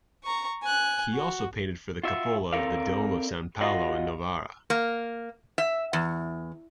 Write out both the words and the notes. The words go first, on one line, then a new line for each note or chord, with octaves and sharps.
He also painted for the cupola of the dome of San Paolo in Novara.
A#5 C#6
G#5 F#6
F#4
F4 F#4 E5
C4 A4 A#4 D5 F5
F4 F#4 D#5 F5 F#5
A#3
E5
E2